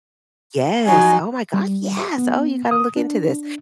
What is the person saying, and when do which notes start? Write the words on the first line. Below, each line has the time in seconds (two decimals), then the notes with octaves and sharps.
Yes. Oh my God, yes! Oh, you gotta look into this.
0.86 F3 F#3 D#4 G#5
1.54 G3
2.18 B3
2.71 D#6
2.96 D4